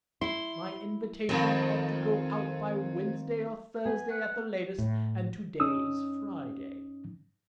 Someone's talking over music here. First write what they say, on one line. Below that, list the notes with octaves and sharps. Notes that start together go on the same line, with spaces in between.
My invitations ought to go out by Wednesday or Thursday at the latest, and to-day is Friday.
E4 C6
F2 D#3 C4
B3 G#5
F#5
A2
F#2 C#4 D#4 D#6 E6